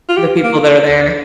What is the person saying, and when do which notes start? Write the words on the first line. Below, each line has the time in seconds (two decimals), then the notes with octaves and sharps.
The people that are there.
0.09 F4
0.17 G4
0.44 A#3